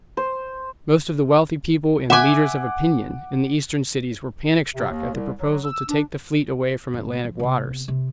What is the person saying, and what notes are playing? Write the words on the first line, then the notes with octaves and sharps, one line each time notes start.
Most of the wealthy people and "leaders of opinion" in the Eastern cities were panic-struck at the proposal to take the fleet away from Atlantic waters.
C5
E5 F#5 G#5 D6 F#6
C3
D#2
C2
F#3
E6
D4
F#1 G#2
F3
C3 B3
C3